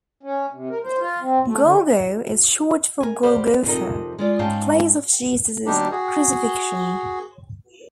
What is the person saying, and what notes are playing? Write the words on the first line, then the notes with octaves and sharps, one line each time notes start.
"Golgo" is short for Golgotha, the place of Jesus' crucifixion.
C#4
C3
A#4
C5
F4
C4
A3
D3
A#4 G#5
G4 B4 C5 D5 F5 F#5
F2 C3 D#4 A#4 D#5
G#3 F4 D5
G#2 C#4 D#4 F5 G5 A5
D#2 B2 G3 D4 D#4 G4
F#4 G#4